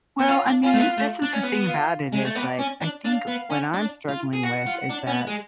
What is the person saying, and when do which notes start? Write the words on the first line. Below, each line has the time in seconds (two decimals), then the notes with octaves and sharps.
Well, I mean, this is the thing about it is, like, I think what I'm struggling with is that
0.19 B3
0.28 C#4 F4
0.46 D4
0.63 C#4 F4
0.74 A3
0.80 B3
0.98 A3
1.22 D4
1.33 C#4
1.43 B3
1.67 F4
2.13 G#3
2.25 A3
2.35 B3 D5
2.59 C#4
2.81 D4
3.05 D4 F5
3.28 B3
3.51 C#4
3.74 D4
4.09 F4
4.33 G#4
4.42 F#4 F#5
4.66 F4
4.89 D4
5.07 C#4
5.12 B3
5.27 G#3